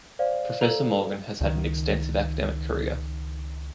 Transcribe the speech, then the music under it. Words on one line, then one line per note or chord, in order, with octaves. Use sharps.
Professor Morgan has had an extensive academic career.
C5 D5 F5
A4 A#5
C#2 D#3